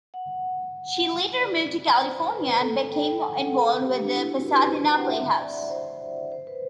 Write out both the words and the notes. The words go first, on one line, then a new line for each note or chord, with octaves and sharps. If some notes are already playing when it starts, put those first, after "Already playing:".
She later moved to California and became involved with the Pasadena Playhouse.
F#5
D5
C5
B4
A4
G5
F#5
A4
G4
D4
E4
F#4
B4
C5
G5
F#5
E5
D5
C5
C5
B4